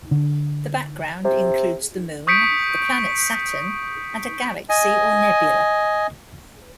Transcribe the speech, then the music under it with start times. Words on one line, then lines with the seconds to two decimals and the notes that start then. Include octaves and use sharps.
The background includes the Moon, the planet Saturn and a galaxy or nebula.
0.11 D3
1.25 C3
2.27 C#6 D#6 G6 B6 C#7 D7
4.69 D#5 G#5